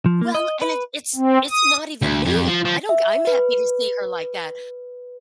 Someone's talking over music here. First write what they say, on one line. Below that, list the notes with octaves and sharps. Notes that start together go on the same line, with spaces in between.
Well and it it's it's not even me. I don't g I'm happy to see her like that,
F3
A#3
D#5
B4
C4
D#6
D2
F2
F3
F3
E5
B4